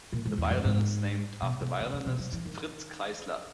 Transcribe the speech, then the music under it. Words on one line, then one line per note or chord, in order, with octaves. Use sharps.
The violin is named after violinist Fritz Kreisler.
A#2
G#2
E2
F#2
G#2
B2
B2
C#3
C#3
B2
F#3
E3
D#3